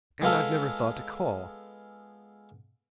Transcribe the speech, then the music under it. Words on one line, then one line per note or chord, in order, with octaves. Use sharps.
And I've never thought to call.
G#3 B3 F4 A4